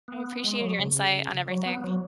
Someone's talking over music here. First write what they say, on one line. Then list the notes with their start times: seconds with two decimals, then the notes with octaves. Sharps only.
I appreciate your insight on everything.
0.08 B3
0.44 G#3
0.61 F#3
0.79 C#3
1.48 F#3
1.65 B3
1.84 F#3